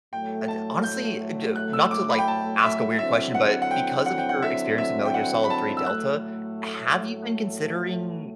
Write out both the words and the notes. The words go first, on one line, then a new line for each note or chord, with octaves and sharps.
Uh, d Honestly, uh, d not to, like, ask a weird question, but because of your experience in Metal Gear Solid Three Delta, have you been considering,
A2 F#3 A3 G5
A5
G6
F#6
E6
D6
B5
G5
A5
E5
D3 F#3 C4 E4 E5
F#5
F#5
G5
F#5
G5
F#5
E5
E5
G5
F#5
B5
A5
E6
A2 F#3 A3 F#6